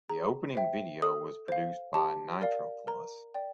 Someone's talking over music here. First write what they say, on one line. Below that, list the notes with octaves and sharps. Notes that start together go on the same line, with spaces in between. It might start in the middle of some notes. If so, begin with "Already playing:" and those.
The opening video was produced by Nitroplus.
G#4 A#5
C5 E5 G5
A4 D#6
C5 F5
G4 A5
A#4 D5 F5
A#4 A#5
D5 G5